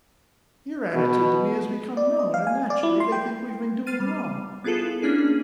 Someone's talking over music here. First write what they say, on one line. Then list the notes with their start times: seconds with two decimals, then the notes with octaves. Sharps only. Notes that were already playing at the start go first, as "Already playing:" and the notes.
Your attitude to me has become known; and naturally they think we've been doing wrong!
0.94 B2
1.97 D5
2.19 D#5
2.34 F5
2.47 G#5
2.70 D5
2.83 E4
3.00 C6
3.12 G5
3.87 F6 A6 C7 D#7
4.00 G3
4.64 B3 E4 F4 G#4 A4
5.02 A#3 C#4 D4 E4 G#4